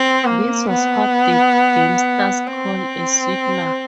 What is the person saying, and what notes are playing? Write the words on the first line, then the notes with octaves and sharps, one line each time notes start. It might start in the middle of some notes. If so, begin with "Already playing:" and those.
This was what the gamesters call a sweetener.
Already playing: C4
A#3
B3
C4